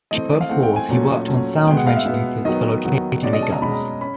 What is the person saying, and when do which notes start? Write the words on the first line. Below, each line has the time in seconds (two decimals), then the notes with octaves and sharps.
During both wars he worked on sound ranging methods for locating enemy guns.
0.11 E3 A3 C4 D#5
0.41 F5
0.49 E3 A3 C4 F#5
0.63 G5
0.76 G#5
0.89 A#2 F#3 A3 C#4
1.28 A#2 F#3 A3 C#4
1.67 B2 G#3 B3 G5
1.77 F#5
1.87 F5
1.97 E5
2.06 B2 G#3 B3
2.45 D#3 F#3 B3 D#5
2.84 D#3 F#3 B3
3.23 B2 G#3 C#4 D5
3.33 D#5
3.42 A5
3.53 A#5
3.62 B2 G#3 C#4 B5
3.72 A#5
4.01 C#4 B5